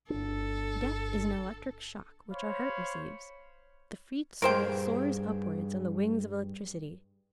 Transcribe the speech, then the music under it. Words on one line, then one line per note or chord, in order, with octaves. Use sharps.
Death is an electric shock which our heart receives; the freed soul soars upwards on the wings of electricity.
G1 D4 A4
C5 C#5 F5 B5
G2 G#4 A#4 C5 G5